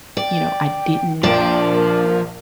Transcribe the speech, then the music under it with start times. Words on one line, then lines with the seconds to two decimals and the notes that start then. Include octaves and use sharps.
you know, I didn't
0.17 D5 G5
1.23 A#1 F3 A#3 D4 D5 G5
1.73 A#4